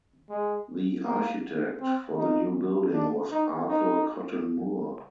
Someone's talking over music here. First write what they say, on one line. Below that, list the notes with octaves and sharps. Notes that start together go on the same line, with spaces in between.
The architect for the new building was Arthur Cotton Moore.
G#3
A#3
C4
D#4
D4
D#4
D#4